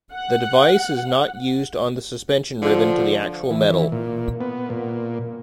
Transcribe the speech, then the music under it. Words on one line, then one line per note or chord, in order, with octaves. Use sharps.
The device is not used on the suspension ribbon to the actual medal.
F#5
D3 F3
E3
E3
A#2
B3
A#2